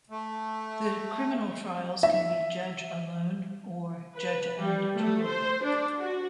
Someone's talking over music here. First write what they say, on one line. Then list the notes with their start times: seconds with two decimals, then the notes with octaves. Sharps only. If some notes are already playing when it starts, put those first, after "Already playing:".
The criminal trials can be judge alone or judge and jury.
0.10 A3
2.03 E5
4.16 B4
4.60 G3
4.98 A3
5.28 C5
5.62 D4
5.97 F#4